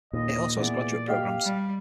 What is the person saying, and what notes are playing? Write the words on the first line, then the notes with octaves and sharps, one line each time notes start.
It also has graduate programs.
D#2 A#2 D#5
E3 G#3 B3 D5
G4 D#5 F5 G5
G3